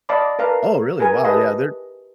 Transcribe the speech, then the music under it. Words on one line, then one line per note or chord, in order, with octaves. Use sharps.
Oh really? Wow, yeah, they're
D5 D#5 F5 A5 B5 D6
A#4 B4 F5 A5 A#5
G#4 A#4 B4 G#5
G4 G#4 B4 D#5 E5 A5